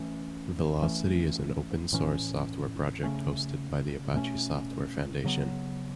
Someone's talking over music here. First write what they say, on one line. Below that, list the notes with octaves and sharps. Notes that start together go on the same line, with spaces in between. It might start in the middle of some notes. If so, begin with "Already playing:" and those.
Velocity is an open source software project hosted by the Apache Software Foundation.
Already playing: E3 A3 C#4
E3 A3 C#4
A2 E3 C#4
C#3 A3 C#4
B2 A3 C#4
C#3 F#3 B3